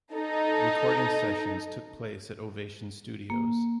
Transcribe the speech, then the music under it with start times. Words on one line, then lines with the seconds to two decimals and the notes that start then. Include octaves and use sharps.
Recording sessions took place at Ovation Studios.
0.14 D#4 A4
3.30 A#3